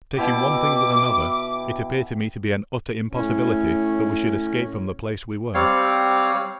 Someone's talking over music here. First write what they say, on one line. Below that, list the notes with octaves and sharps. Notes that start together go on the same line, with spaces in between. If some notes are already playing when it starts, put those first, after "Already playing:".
Taking one thing with another, it appeared to me to be an utter impossibility that we should escape from the place we were.
B2 E4 G4 D6
A2 C#4
G3 C4 C#5 F5